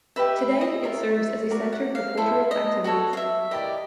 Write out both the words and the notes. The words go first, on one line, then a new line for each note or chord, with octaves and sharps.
Today it serves as a centre for cultural activities.
G4 B4 D#5 E5
E5
D#5
F4 A#4 C#5 E5
F#4 A#4 D5
F#5
F5
E4 A4 C5 E5
D#5
F#4 A4 C#5 D#5
F5
E5
E4 G4 A#4 D5 D#5